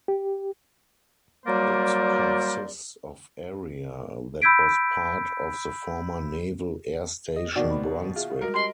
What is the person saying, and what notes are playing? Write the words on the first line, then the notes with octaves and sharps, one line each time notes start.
It consists of area that was part of the former Naval Air Station Brunswick.
G4
F#3 G3 A#3 A#4 C5 D5
B5 E6 G6 G#6 B6 D7
D#5
B2 D#3 A#3 F#4 A#4 C5 D5
B5
F4 G#4 E5
G3 G#3 F#4 A#4
C#4 G4 D#5 B5 C6